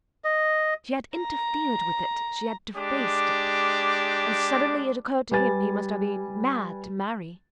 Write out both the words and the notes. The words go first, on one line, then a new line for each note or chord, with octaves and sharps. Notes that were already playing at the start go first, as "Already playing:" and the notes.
She had interfered with it; she had defaced it. And suddenly it occurred to him he must have been mad to marry.
D#5
A#5
G#3 D4 G4 D6
G3 B4 G#5 A6